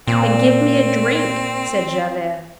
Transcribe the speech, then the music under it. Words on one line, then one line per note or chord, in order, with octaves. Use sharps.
"Then give me a drink," said Javert.
A#2 C4